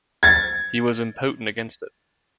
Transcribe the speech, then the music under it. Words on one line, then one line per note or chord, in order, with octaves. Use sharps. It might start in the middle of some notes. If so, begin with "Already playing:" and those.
He was impotent against it.
G#6 A6